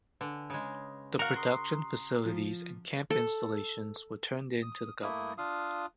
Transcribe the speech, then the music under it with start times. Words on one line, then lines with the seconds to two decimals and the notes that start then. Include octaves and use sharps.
The production facilities and camp installations were turned in to the government.
0.21 D3 B4 G#5
0.50 C#3 G#3
1.19 F#4 A#4 F5 A#5
1.36 A#5 C6 D#6
2.26 F3
3.10 A4
4.63 D#6
5.02 A3 A#3 E4 D#6
5.38 D4 F4 F5 D#6